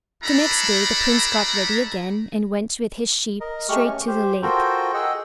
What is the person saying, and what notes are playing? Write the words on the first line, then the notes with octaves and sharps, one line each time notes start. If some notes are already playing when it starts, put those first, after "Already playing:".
The next day the prince got ready again, and went with his sheep straight to the lake.
A3 D4 E4 A4 A#5 B5
A#4 D#5
G#3 A3 G4 C#6 F6
C#4
G4 C5
F4 F#4 A4 A#4 C5 G5
G#4 D#5 F#5 G5 E6